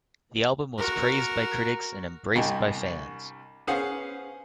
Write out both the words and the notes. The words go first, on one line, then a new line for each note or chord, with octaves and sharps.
The album was praised by critics and embraced by fans.
F#4 A#4
C2 G2 C3 D#5 G5 G#5
C#4 G#4 B4 C5 F5 F#5